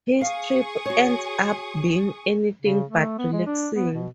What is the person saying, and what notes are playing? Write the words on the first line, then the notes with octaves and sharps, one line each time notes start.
His trip ends up being anything but relaxing.
G#4 F5 C#6 D#6
F#4 C#5
C#3
A3
B3
G#3
D4
B3
B2